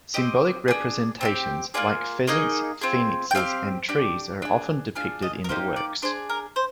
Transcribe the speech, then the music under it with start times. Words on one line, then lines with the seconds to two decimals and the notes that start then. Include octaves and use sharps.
Symbolic representations, like pheasants, phoenixes and trees are often depicted in the works.
0.14 C4 G4 D#5
0.68 D4 G#4
1.21 C4 D#4 G4
1.74 A#3 D4 F4 G#4 D5
2.27 A#3 D#4 G#4 D#5
2.81 C4 F4 G#4
3.31 G5
3.35 C4 D#4 G4 F5
3.89 D4 G4
4.42 D4 G#4
4.95 D4 F4 G#4 F5
5.22 D#5
5.44 A#4
5.49 A#3 D#4 G4 C5
5.76 D5
6.02 D4 G#4 C5
6.29 A#4
6.56 C5